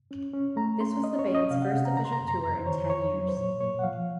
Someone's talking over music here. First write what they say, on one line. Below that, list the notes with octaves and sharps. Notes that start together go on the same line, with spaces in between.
This was the band's first official tour in ten years.
C#4
C#4
A3 A#5
C#4 C6
C#4 D#5
C#5
C#4
D#5
C3 F5
F#5
C3
A#5
C#3 A#5
C6
A#5
F#2
A#5
F2 A#5
C5
D#3 C#5
F2 C#5
F#3
C5
A#2 C#5
A#2 C#5
F#5
F3 F5